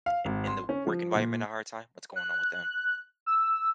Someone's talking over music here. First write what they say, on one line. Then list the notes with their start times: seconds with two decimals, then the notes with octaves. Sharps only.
i in the work environment a hard time? What's going on with them?
0.06 F5
0.25 G#1
0.47 C6
0.69 C#4
0.87 F3
1.15 A#2
2.16 F#6
3.26 E6